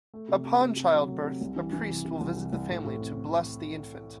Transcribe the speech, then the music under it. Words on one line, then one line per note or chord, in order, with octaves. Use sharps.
Upon childbirth, a priest will visit the family to bless the infant.
A3
C3
C3
C3
C3
F#3
A3
C3
C2
E3
E3
C3
C3
C2
C3
C2
A2
A2
C4